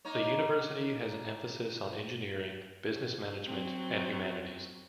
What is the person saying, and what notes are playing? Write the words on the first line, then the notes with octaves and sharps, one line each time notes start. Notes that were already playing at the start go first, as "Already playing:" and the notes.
The university has an emphasis on engineering, business management and humanities.
A#3 D#4 C#5
F#3 C4